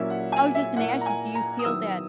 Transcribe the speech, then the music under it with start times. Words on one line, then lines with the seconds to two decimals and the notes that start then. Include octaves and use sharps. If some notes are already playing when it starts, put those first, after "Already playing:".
I was just gonna ask you, do you feel that
Already playing: A#2 F#3 A#3 C#4 E4 E5
0.10 F#5
0.32 G#5
0.55 E5
0.76 A#2 A#3 E4 F#5
1.01 A#5
1.06 G#5
1.35 A#5
1.59 D#6
1.65 D#3 F#3 B3 E4 E6